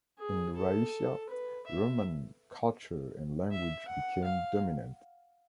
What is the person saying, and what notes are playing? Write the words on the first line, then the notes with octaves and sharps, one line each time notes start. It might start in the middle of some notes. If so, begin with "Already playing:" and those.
In Raetia, Roman culture and language became dominant.
G#4
A4
B4
E5
E5
F#5
F5